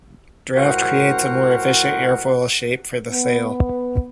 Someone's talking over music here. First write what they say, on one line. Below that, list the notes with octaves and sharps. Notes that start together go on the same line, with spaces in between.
Draft creates a more efficient airfoil shape for the sail.
C#2 A2 F#4 A#4 C5 F#5
B3